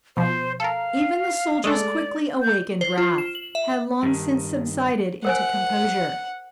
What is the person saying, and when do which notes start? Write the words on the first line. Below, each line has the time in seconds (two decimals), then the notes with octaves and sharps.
Even the soldier's quickly awakened wrath had long since subsided into composure.
0.17 B2 F3 C5
0.60 A4 A#4 F5
1.64 G#3 A3 A4 D5
2.42 G6
2.81 C5
2.98 F4
3.18 E7
3.35 F#7
3.55 E5
4.03 G2 D#3
5.25 A#4 C5 F#5 G#5